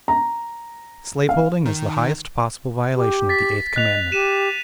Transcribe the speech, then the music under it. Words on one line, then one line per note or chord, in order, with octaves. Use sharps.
Slaveholding is the highest possible violation of the eighth commandment.
A#5
F5
D#3
G4
A6 B6
D#5 F#6 F7
G4 D#7 E7